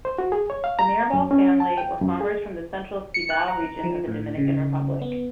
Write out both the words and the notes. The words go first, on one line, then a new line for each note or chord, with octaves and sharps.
The Mirabal family were farmers from the central Cibao region of the Dominican Republic.
C5
F#4
G#4
C#5
F5
A#5
F#2
C#4
A5
G5
F#2
G#4
C#7
F#6
A#5
F3
A2
C#3
B3